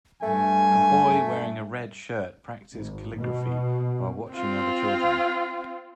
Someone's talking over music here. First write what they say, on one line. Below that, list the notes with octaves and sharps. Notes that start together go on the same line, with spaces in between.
A boy wearing a red shirt practicing calligraphy while being watched by other children.
G2 A3 G#5
G#1
B2
C4 F4